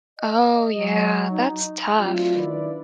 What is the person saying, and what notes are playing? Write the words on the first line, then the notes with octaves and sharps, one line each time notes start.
Oh, yeah, that's tough,
D#5
F#3
D#4
F#3 A3 C4 D4 F4
D#3 D4 E4 B4 D5